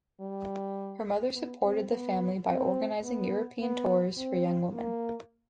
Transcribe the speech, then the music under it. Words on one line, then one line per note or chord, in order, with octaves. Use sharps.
Her mother supported the family by organizing European tours for young women.
G3
B3
C4
B3
C4
B3
B3
C4
A#3